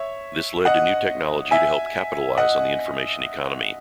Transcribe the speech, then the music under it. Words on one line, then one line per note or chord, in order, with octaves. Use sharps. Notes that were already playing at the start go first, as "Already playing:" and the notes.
This led to new technology to help capitalise on the information economy.
Already playing: C#5 E5
D#5 F#5
E5 G#5
D#5 F#5